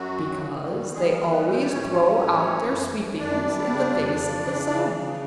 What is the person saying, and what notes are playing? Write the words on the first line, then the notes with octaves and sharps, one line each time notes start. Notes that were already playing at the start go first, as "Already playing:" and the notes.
'Because they always throw out their sweepings in the face of the sun.'
Already playing: F#2 F#3 F#4
D#3
D#3
G3
G3 G#3 G#4
A#3 A#4
G3
B3 B4
A2
C4 C5
D5
E3 C#4 C#5
G3
A2
E3
F#2
F#2
F#2 D4 D5
G3
C#3
F2
C#3
E3
C#3
C#3